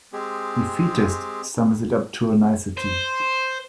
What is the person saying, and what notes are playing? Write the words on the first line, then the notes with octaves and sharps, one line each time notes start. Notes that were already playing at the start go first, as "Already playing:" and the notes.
'Defeatist' sums it up to a nicety.
G#3 C4 G4 G#4
C5